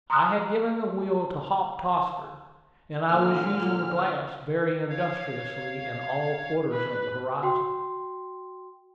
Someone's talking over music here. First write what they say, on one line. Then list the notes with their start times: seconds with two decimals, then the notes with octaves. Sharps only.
I had given the wheel to Hop Tossford, and I was using the glass very industriously in all quarters of the horizon.
0.10 A#5 C6 D6 D#6 F6 F#6
3.07 A#2 D3 F6
4.90 C#5 F5
6.72 B4
7.43 F#4 G5 C6